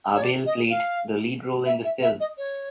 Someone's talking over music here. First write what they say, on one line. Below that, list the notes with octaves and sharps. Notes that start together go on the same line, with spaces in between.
Aabel played the lead role in the film.
C#5
D5
D#5
F5
E5
E5
E5
D#5
C#5